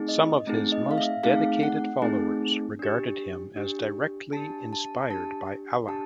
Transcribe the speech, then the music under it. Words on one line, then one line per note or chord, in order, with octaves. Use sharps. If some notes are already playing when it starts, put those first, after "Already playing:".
Some of his most dedicated followers regarded him as directly inspired by Allah.
Already playing: A3 C4 D#4 G#4
D#5
A3 C4 D#4 G#4
D#5
F5
E5
A3 C4 D#4 G#4 F5
F#5
A3 C4 D#4 G#4
D4 G4
D4 G4
D4 G4 A5
A5
D4 G4 A5
D4 G4 A5